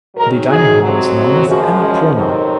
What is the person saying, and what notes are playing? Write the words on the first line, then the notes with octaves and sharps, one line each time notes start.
The dining hall is known as "Annapoorna".
G#2 D#3 F#3 A#4
G#4
F2 C3 F#3
F#2 C#3 F3 G#3 F#4
G#3
F2 C3 D#3 F#3